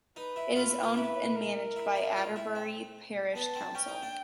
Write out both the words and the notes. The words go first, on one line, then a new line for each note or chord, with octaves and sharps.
It is owned and managed by Adderbury Parish Council.
D#4 B4
E4
F4 B4
E4
F4
E4 B4
A#4
E4
E4
F4
E4
C4
B3 A5
C4
C#4 G5
D#4
D4